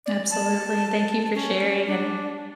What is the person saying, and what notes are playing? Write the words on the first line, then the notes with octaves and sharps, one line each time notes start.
Absolutely, thank you for sharing, and
D5
A5
C#4
D4